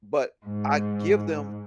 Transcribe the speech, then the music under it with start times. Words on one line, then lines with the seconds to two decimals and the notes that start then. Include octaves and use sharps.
but I give them
0.46 G#2